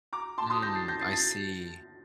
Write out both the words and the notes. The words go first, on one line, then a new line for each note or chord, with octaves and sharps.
Mm. I see.
A#5 D6
A5 C6
C6 D#6
G6 A#6
A6 C7
G6 A#6
A6 C7
A6 C7